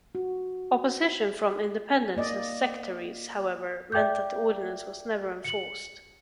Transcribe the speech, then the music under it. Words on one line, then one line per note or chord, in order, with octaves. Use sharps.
Opposition from Independents and sectaries, however, meant that the ordinance was never enforced.
F#4
A#3 D5 D#5
D5 E5 G5 D6 G6
C#7 F#7